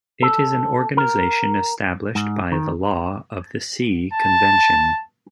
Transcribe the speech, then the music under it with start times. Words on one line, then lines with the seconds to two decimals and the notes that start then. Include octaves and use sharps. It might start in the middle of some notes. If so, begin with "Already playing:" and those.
It is an organization established by the Law of the Sea Convention.
0.22 A4
0.97 A#4
2.15 G#2
2.52 D#3
4.13 A5